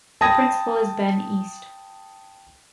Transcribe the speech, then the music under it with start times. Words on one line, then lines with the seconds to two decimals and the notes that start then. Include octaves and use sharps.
The principal is Ben East.
0.21 G5 A5 B5 D#6 G#6 A#6